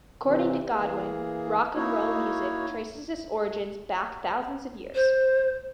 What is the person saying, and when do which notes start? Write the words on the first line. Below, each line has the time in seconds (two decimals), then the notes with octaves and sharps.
According to Godwin, rock and roll music traces its origins back thousands of years.
0.24 C3 E3 C4
0.73 E3 A#3 G#4
1.75 A#3 D#4 E4 F#4 C#5
4.95 C5